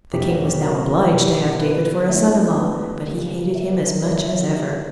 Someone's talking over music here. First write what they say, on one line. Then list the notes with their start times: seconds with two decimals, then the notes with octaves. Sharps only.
The king was now obliged to have David for a son-in-law. But he hated him as much as ever.
0.12 E2 B2 F#3 C#4 E4 G4
0.30 F#4
0.45 G4
0.61 F#4 A#4
1.10 B2 A#3 E4 G4
1.22 G4
1.35 G4
1.47 G4
1.59 B4 D5
2.08 D2 D3 G3 B3 E4 C#5 E5
2.57 B4 D5
3.07 C#3 G3 A#3
3.55 C#5 E5
3.71 B4 D5
3.88 A#4 C#5
4.04 C#3 F#3 A#3 E4 B4 D5
4.16 C#5 E5
4.29 C#5 E5
4.40 F#4
4.53 G4